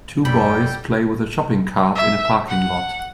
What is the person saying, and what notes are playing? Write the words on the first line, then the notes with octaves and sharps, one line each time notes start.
Two boys play with a shopping cart in a parking lot.
F#2 G3 A4 D5 G5 B5
E5
F#5